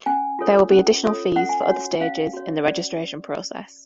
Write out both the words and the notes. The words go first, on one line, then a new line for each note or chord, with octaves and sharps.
There will be additional fees for other stages in the registration process.
C#4 G#5
F4 A4 C#5
C#4
F4 A4 C#5
C#4 F#5
G#5
F#5
F#4 C#5
C#4 F5
F#4 C#5
C#4 D5